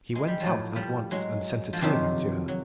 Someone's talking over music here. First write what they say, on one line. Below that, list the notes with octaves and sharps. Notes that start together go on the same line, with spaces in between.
He went out at once and sent a telegram to her.
G#3
G3
F3 F#3
A2
F3 G3
F#3 G#3
F3
F2 C3 D#3 F#3
F#3